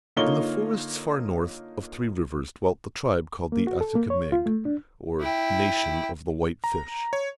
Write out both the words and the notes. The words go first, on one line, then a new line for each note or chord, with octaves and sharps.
In the forests far north of Three Rivers dwelt the tribe called the Atticamegues, or Nation of the White Fish.
D3 A#3 D#4 F4 C#5 G7
A#3
F#4
A4
A#3
C#5
F4
A3
D4
E4 G5
A#5
C#5